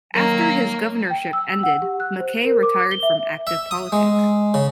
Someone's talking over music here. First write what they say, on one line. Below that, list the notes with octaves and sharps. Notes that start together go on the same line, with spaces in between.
After his governorship ended, MacKay retired from active politics.
D#3 F#3 A#3
G5
E6
F#5
G4
F#6
C5
A#4
D6
G7
E5
E5
D#6
G#3
C#3